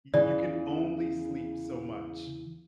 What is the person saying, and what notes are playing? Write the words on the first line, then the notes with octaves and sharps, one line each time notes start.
Y you can only sleep so much,
E2 C#3 E3 D5